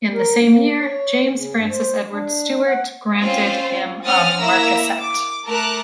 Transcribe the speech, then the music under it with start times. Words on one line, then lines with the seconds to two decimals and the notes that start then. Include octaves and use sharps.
In the same year, James Francis Edward Stuart granted him a marquessate.
0.14 A#4
0.45 A#3
0.80 C#5
1.37 C#3
1.54 G2
1.70 C5
2.12 D4
2.67 F#5
3.20 C4 C#4 F4 C5
4.03 C4 C#4 F#5 D#6 F6 A6
4.40 A#3 E4 E5 A#5 E6 A#6
5.00 D6
5.45 A3 A#4 A5 A#5 D6 F#6